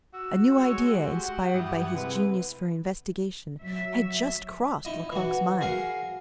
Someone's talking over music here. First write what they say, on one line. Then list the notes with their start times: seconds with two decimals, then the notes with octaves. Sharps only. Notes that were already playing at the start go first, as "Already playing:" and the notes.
A new idea inspired by his genius for investigation had just crossed Lecoq's mind.
0.14 F#4 E6
0.57 G#3 C#5
0.92 G4
1.24 F#5
1.54 G2 G3 E4 D#6
1.93 C3 G#3 B4
3.62 F#3 E5
4.85 D#4 E4 D#5
5.12 E3 F#4
5.61 F#4 G#4 A#4 F5